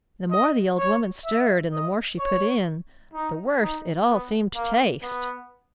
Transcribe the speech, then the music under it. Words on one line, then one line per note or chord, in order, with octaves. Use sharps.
The more the old woman stirred, and the more she put in, the worse it all seemed to taste.
D#5
C#5
E5
D#5
C#5
D#4
D#4
B3
A#3
B3